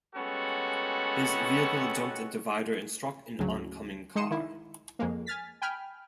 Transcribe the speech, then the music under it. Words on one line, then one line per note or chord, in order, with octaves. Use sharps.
His vehicle jumped a divider and struck an oncoming car.
G3 G#3 B3 C#4 F#4 A4
G#1 D2 C#3 F#3
G#3 D#4 C6 D#6 C#7 E7
D#3 E4
F2 G#3 A#3
G#5 F6 A6 B6
G5 G#5 B5 F6